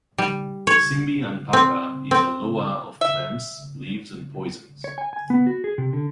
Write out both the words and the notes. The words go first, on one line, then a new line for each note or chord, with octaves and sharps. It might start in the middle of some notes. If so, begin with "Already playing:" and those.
Simbi Anpaka is a Loa of plants, leaves, and poisons.
G3
C#5
C4
C4
E5
C#5
G#5
G#5
B3
F#4
G#4
C3
D3